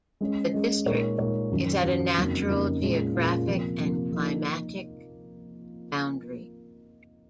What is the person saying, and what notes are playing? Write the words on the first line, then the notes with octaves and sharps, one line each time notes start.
The district is at a natural geographic and climatic boundary.
G#3 C#4 G#4 D#5
G#3 C#4 G#4 D#5
A#2 G#3 D#4 A#4 C#5
A#2 G#3 D#4 A#4 C#5
F#2 D#3 F#3 C#4
F#2 D#3 F#3 C#4
F2 C#3 F#3 A#3 D#4
F2 C#3 F#3 A#3 D#4
A#2 G#3 C#4 F4 G#4
A#2 G#3 C#4 F4 G#4
C3 F3 A#3 F4
C3 F3 A#3 F4
F3 A#3 D#4